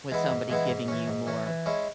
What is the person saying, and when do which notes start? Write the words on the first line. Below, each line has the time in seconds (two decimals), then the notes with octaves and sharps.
with somebody giving you more,
0.12 E3 G#3 B3 E4
0.31 G#2
0.50 E3 G#3 B3 E4
0.69 G#2
0.88 E3 C#4
1.08 G#2
1.27 E3 C#4
1.46 E3
1.66 G#3 C#4 E4